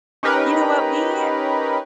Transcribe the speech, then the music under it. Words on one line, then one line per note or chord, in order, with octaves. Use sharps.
You know what? We,
C#4 D#4 G4 A#4 B4